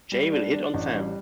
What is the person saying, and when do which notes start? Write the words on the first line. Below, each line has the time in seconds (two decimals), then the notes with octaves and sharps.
Jay will hit on Sam.
0.12 G3
0.32 D4
0.53 D4
0.74 A1
0.95 G3